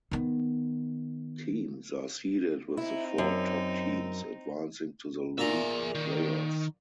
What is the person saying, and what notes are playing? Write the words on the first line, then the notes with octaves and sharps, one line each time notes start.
Teams are seeded with the four top teams advancing to the league playoffs.
D#3 B3
C4 D#4 E4
F#2
A#2 G#4 D5 E5 A#5
D#3